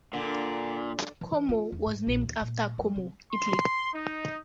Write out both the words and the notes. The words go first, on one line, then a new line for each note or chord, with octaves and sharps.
Como was named after Como, Italy.
A#2 D3
E3
F4
E2
G#2
A#1
D#2
A#2
F#2
C3
C6
D#4